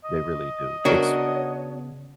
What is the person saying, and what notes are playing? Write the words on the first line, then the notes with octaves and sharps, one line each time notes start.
they really do. Ex
D#5
C#3 B3 D4 F#4 A#4 C#5